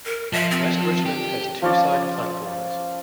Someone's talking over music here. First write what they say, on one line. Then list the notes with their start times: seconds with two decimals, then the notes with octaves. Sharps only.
West Richmond has two side platforms.
0.05 A#4
0.33 F3 E5
0.51 C4
1.06 G4
1.62 F3 C#4 D5